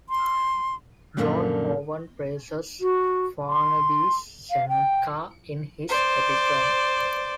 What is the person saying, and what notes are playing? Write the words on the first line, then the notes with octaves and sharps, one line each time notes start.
John Owen praises Farnaby's Seneca in his 'Epigrams.
C6
F#2 A#2 D3 D#3 F3
F#4
C6
F5
G5
C5 D5